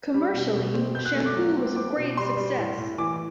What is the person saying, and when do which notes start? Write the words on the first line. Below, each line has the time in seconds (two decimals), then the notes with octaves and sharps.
Commercially, "Shampoo" was a great success.
0.14 G3
0.34 B2
0.55 B2
0.74 C4
0.95 B2 G6
1.05 F#6
1.15 A3
1.26 D6
1.36 F#3
1.56 C4
1.76 C4 D6
1.97 B2
2.17 G3 C6
2.37 G3
2.57 A2
2.78 A2
2.98 E3 D6